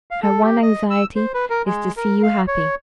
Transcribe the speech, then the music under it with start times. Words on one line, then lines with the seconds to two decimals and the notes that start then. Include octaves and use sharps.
Her one anxiety is to see you happy.
0.11 F5
0.23 A4
0.43 G4
0.62 D#5
0.90 E6
1.16 C5
1.34 B4
1.50 A#4
1.66 G#3
1.97 A#4
2.23 F5
2.48 C#5